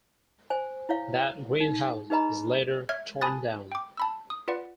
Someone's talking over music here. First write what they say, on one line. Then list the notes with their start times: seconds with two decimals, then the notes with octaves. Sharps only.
That greenhouse was later torn down.
0.50 C5 G#5
0.89 E4 C#5 F5
1.60 D#4
2.10 D#4 G#4 B4 D#5 A#5 B5
2.89 C#5 E5 F6 G#6
3.21 G#5 A5 B5 D#6 F#6 A6
3.72 G5 D6
3.97 A5 B5 E6
4.30 D#6
4.48 F4 B4 D5 F#5